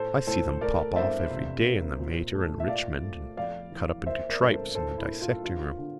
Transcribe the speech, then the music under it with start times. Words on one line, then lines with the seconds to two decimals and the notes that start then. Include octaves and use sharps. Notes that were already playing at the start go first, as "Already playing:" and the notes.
I see them pop off every day in the Mater and Richmond and cut up into tripes in the dissectingroom.
Already playing: A2 A4 C5
0.27 A2 A4 C5
0.61 A3 A#4 D5
0.96 G2 C5 E5
1.30 C3
1.65 A#3
1.99 A#2
2.34 A3
2.60 E5
2.68 A#2 D5 F5
3.03 A3
3.37 F2 D5 F5
3.72 E3
4.06 A#3 C5 E5
4.29 A#4 D5
4.41 G2
4.52 A4 C5
4.75 A2 A4 C5
4.98 E4
5.10 A#3
5.21 F4
5.44 D3 F4
5.78 D3